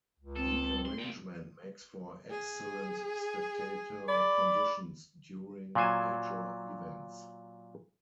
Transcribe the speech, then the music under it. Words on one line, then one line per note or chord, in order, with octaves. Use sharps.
The arrangement makes for excellent spectator conditions during major events.
C#2
C4 A4
C6
D2 G5
G#4
D5 B5
A#2 F#3 C5 G#5